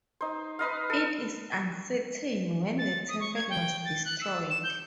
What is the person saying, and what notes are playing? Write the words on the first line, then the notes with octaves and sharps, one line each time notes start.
It is uncertain when the temple was destroyed.
D#4 C5
D#4 B4 D#5 F5
A4
A6
D#6
C#6
G#6
G5
A6
F#6
E6
E7
G6